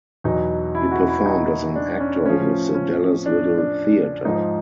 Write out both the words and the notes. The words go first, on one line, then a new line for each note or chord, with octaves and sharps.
He performed as an actor with the Dallas Little Theater.
E2 B2 F#3 D#4
E4
F#4
E4
D#4
D4
C#4
A2 F3 C#4
C#4
D4
D4
G#2 F3 D#4